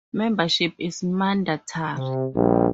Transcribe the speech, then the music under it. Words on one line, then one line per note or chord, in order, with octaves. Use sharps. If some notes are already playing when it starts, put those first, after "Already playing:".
Membership is mandatory.
C3
A#1 G3